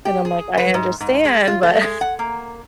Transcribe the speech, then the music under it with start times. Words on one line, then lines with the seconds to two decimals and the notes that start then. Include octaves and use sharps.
And I'm like, "I understand, but"
0.05 G4
0.25 G#4
0.57 B4
0.74 G#2
1.00 G#2
1.25 G#3
1.47 F4
1.63 A3
1.83 G#3
2.01 F#5
2.19 A#3